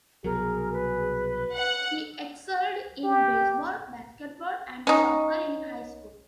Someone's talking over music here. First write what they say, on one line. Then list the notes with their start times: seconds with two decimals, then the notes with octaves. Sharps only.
He excelled in baseball, basketball, and soccer in high school.
0.24 C2 B2 F#3 G#4 A#4
0.73 B4
1.55 F#5
3.04 G4
4.87 C#4 D#4